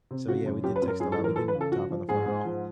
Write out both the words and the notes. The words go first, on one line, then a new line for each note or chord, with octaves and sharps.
So yeah, we did text a lot, we didn't talk on the phone at all.
C3
C#3 F#4
F#2
F#2 G4
B4
F#2
A#4
F#2 G#4
A4
E3
A#4
E3 A4
B4
C#3
A4
F3 F#4
F3
G#2 G#4
G#2
F3